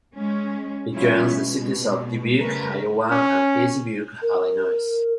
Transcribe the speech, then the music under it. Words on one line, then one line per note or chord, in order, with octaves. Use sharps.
It joins the cities of Dubuque, Iowa, and East Dubuque, Illinois.
G#3 C#4
F3 G3 C#4 E4 F4
B2 G#3
C#3 G3 A3 A#4 B4
C#4
A#4